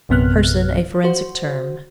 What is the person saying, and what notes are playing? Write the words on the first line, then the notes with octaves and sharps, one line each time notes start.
Person a forensic Term.
A#1 F#2 C3 B3 F6 F#6
F#4 C5